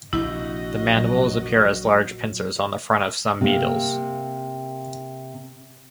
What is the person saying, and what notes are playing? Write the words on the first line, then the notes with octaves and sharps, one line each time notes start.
The mandibles appear as large pincers on the front of some beetles.
A#1 C3 E4 F#4 D#5 G6
A#2 F#3
C3 A#3